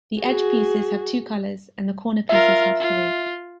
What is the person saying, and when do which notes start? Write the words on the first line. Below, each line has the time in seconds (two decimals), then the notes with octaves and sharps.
The edge pieces have two colors, and the corner pieces have three.
0.21 F#4 G#4
2.29 F4 A#4 E5
2.80 F4